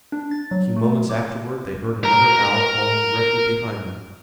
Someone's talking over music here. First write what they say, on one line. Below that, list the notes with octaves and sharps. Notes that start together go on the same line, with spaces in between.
A few moments afterward they heard another owl calling directly behind them.
D4
A6
F#3
A3
D6
A#4 A#5